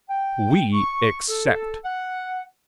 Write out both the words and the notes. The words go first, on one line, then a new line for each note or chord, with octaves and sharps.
We accept.
G5
C#6
A4
F#5